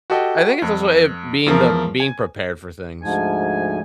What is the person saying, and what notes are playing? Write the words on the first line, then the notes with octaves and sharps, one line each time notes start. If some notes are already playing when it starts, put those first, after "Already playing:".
I think it's also it being the being prepared for things.
F#4 G4 A4 D#5
F2
E2 F3 A#4
G#5
D2 G#2 F3 G#5